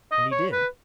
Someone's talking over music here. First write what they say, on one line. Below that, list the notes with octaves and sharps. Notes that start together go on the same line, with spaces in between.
And he did.
D#5
C#5
B4